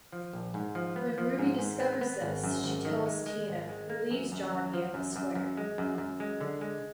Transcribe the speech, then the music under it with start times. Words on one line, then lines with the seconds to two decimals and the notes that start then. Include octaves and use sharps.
When Ruby discovers this she tells Tina, who leaves Johnny and the Square.
0.12 F3
0.33 A#1
0.54 G#2
0.75 F3
0.96 B3
1.18 F3
1.39 G#2
1.59 G#2
1.80 B3
2.01 B3
2.22 G#1
2.44 F#2
2.64 G#1
2.85 D#3
3.06 G#3
3.26 G#3
3.48 G#1
3.69 G#3
3.90 A#3
4.11 F#2
4.32 F#2
4.52 F#2
4.73 F3
4.94 F#2
5.16 F#2
5.35 F#2
5.57 G#3
5.78 F#2
5.98 F#2
6.20 G#3
6.41 D3
6.61 G#3